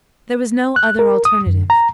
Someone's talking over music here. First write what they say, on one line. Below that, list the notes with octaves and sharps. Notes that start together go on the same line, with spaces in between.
There was no other alternative.
F#6
A#4
D#6
F#2
A#5